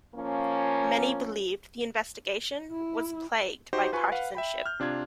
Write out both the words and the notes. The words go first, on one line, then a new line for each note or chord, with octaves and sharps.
Many believed the investigation was plagued by partisanship.
F3 A#3 C#4
E4
D#4 F#4 G4 C5
F4 B4 G#5 C#6
B4 F5 F#5
E5 G5 B5
F6 G6
C3 D4 F4 G#6